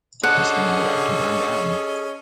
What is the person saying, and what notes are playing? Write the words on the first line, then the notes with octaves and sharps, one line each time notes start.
This thing is about to burn down.
D3 C#4 G#4 A4 D#5 F#5